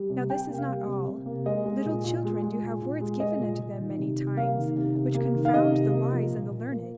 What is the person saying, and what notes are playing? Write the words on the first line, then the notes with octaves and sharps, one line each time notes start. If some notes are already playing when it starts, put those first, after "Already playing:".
Now this is not all; little children do have words given unto them many times which confound the wise and the learned.
Already playing: G3
C3
C3 G5
A#3
F5
G3
C3
C3
A#3
G#3 D#5
G#3
A#2
A#2
G#3
G#3
A#2
A#2
G#3
G#3 D#5
A#2
A#2
D#3
C3
C3
A#3 F5
D#3
C3
C3
A#3
D#3
F5
C3 D#5
C3
A#3
F3
A#2
A#2
A#3